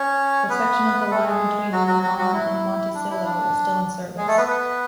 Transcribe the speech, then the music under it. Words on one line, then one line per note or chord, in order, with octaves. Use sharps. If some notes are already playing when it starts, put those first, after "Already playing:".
The section of the line between Monon and Monticello is still in service.
Already playing: C#4 C#5
B3 B4
B4
A3 A4
G#3 G#4
F#3 F#4
F#3 F#4
F#3 F#4
F#3 F#4
E4
D4
E4
D4
G#3 G#4
A3 A4
B3 B4
B3 B4